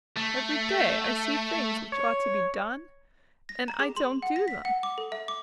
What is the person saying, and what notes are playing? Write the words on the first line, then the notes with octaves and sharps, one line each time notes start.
Every day I see things which ought to be done, and I don't do them.
A3
C#5
A#6
A#5
G#4
C6
F#5
A#6
B6
F#5
D6
A4
E5
D6